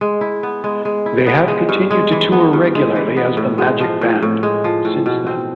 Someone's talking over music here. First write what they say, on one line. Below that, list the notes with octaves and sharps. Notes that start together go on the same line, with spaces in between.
They have continued to tour regularly as the Magic Band since then.
G#3
E4
B3
G#3
G#3
E4
B3
G#3
G2
G#3
E3
B3
G2
G#3
E3
B3
A2
G#3
F3
A2
A2
G#3
F3
A2
B2
C4